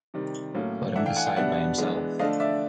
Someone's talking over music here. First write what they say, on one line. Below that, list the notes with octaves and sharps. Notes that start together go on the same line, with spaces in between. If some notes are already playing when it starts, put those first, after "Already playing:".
Let him decide by himself.
C3 D#3 G3
A2 F#3 A#3 C#4
E3 A3 D4 E5 F#5
F5 G5
F#5 G#5
F5 G5
B2 G3 B3 D4 E5 F#5
E3 G#3 B3 D4
D3 F3 A3 D4 D#5 F5
D5 E5